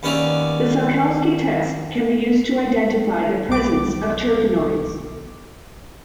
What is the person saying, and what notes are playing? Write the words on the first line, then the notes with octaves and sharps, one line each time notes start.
The Salkowski test can be used to identify the presence of terpenoids.
D#2 B3 C#4 D5 E5 A#5
B1 D6